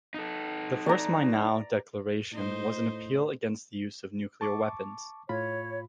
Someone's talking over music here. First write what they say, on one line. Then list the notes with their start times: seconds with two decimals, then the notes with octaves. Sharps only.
The first Mainau Declaration was an appeal against the use of nuclear weapons.
0.14 D#4 A4
0.86 D5 A#5
2.32 A2 D#4 C5
4.41 A5 C#6 D6
5.29 A2 F4 C#5 B5